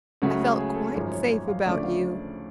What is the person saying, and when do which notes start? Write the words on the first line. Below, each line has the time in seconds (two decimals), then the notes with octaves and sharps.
I felt quite safe about you.
0.22 C#2 C#3 F#3 A3 F#4
0.40 G#4
0.58 G#4
0.76 A4
0.94 G#1 F#2 F3 G#4
1.12 C#5
1.30 C#5
1.48 F5
1.66 D2 C#3 F3 A3 D5
1.84 F5